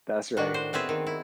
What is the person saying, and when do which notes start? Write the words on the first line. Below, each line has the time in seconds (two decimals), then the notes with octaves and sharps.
That's right.
0.37 A2 D#3 D4 F#4
0.54 C5
0.73 B3 C4 G#4 E5
0.89 D#3
1.07 E4